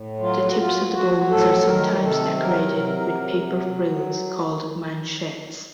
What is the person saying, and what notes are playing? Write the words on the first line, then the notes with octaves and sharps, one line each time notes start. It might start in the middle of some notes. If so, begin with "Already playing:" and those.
The tips of the bones are sometimes decorated with paper frills called manchettes.
Already playing: A2
F#3 F4
F#4
F#3 F4
F#3 F#4
A2 A4
A4
D#3 A#4
C3 A4
F#3 A#4
C3
F#3
F#3